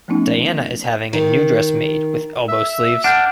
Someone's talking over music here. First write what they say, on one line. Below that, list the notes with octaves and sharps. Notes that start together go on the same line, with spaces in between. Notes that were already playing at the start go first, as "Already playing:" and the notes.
Diana is having a new dress made with elbow sleeves.
F3 A3 B3 C#4 D#4
D#3
E5 E6
D4 F#5 F6 G6